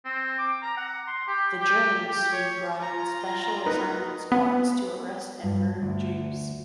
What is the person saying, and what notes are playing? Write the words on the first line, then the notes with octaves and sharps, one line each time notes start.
The Germans soon brought in special assignment squads to arrest and murder Jews.
C4
D6
A#5
F#5
C6
G4
G4
G4
C#5
F4 A#5
D#4 A#4 B4
B3
G2
D2